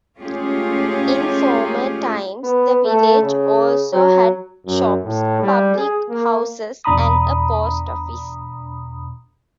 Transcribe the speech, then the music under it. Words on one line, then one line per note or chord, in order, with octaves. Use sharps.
In former times the village also had shops, public houses and a post office.
G#3 A3 C#4 F4 G4 G#4
B3
A3
C#3
F#3
F#2
A2
G3
G#4
A#3
E2 B2 D4 A#5 B5 D#6